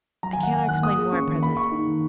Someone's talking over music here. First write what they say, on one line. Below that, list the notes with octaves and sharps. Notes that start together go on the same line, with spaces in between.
I cannot explain more at present.
F#3 A#5
G#5
D#3
F#5
A#3 G#5
D#3 F#6
A#3 D#6
G#4
C#4 C#6
D#3
A#3 B5
G#4 C#6
D#4
D#3